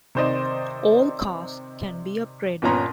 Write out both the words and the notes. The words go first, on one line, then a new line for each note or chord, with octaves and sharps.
All cars can be upgraded.
C3 D#3 C5 D5 D#5 E7
G1 A#2 B3 C#4 A#5 C6